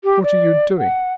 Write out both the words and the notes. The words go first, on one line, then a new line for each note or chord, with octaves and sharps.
'What are you doing?
G4
D5
F#5